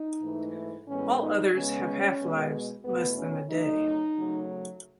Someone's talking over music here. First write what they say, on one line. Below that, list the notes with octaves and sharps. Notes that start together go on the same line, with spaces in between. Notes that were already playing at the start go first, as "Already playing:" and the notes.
All others have half-lives less than a day.
Already playing: D#4
G#2 E3 A3
A2 E3 G#3 B3 C#4
D#4
C#3 G#3 B3 C#4
B2 G#3 B3
E2 B2 A3 B3
C#4
C#3 F#3 A3 D#4
C#3 F#3 A3